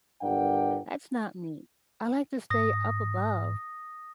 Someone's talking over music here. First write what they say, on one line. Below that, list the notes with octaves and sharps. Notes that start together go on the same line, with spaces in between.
That's not me. I like to stay up above
G1 G2 D4 A#4 F#5 G5
G#2 D#6 A#6